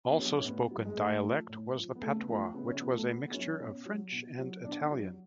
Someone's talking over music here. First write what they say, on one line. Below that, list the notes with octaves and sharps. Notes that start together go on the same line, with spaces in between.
Also spoken dialect was the Patois, which was a mixture of French and Italian.
B3
F#3 C#4
C#4
A2 B3
F#3
G#3
A2 A3
F3
A2
F3
B3
C#3 A3
B3
F3 A3
C#3 B3
C#4
F3 B3
A3
B2 B3
B3
F#3 C#4
B2
F#3
B2
F#3
B2 D4
F#3